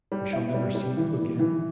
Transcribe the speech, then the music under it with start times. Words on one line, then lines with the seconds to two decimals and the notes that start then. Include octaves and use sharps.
"We shall never see you again?"
0.12 G3
0.33 E4
0.54 G3
0.75 G3
0.97 E3
1.18 E3
1.39 E3